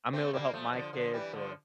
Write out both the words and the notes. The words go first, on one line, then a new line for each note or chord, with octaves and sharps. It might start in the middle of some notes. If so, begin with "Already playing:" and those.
I'm able to help my kids or,
A3 C4
G3 A#3
F3 A3
D3 F3
D3 F3
E3 G3
D3 F3